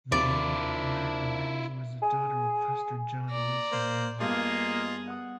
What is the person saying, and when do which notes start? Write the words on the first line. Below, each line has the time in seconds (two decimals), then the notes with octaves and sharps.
Zerelda Amanda Mimms was the daughter of Pastor John Wilson Mimms.
0.12 D#2 C3 F3 A#3 D4 E4 F4 D5
2.02 G#4
3.30 A#2 D5 A#5
3.72 A#3 C5
4.20 G2 A#3 B3 F4 G#4 D#5
5.07 F#5 D#6